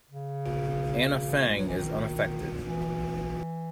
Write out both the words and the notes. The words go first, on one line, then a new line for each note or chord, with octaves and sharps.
Anna Fang is unaffected.
C#3
G#3
F#3
E3
D#3
E3